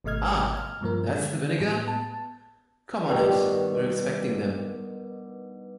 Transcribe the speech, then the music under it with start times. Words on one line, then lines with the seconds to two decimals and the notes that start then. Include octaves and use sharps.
Ah! That’s the vinegar...? Come on it, we’re expecting them.
0.04 G#1 B2 A3 D#5 F6 G#6
0.57 F6
0.81 G2 A#2 F3 A#4
1.10 D3 G#3
1.60 A2 B3
1.84 B3 A5
3.09 G2 B2 D#3